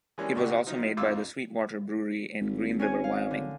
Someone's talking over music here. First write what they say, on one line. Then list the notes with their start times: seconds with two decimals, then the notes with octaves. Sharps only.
It was also made by the Sweetwater Brewery in Green River, Wyoming.
0.18 E3 G3 G#3 A#3 C#4 D4
0.35 C2 A2 D3 D4 G4 C#6
0.66 F3 F#3 D#4
0.97 A1 F2 D#4 F4 D6 E6
2.41 G#1
2.79 C#4 C#5 G#5
3.04 F5
3.31 D3